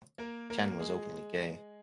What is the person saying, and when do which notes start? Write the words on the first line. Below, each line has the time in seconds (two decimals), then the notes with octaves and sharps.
Chen was openly gay.
0.18 A#3 A#4
0.50 A#3 A#4
0.80 G#3 G#4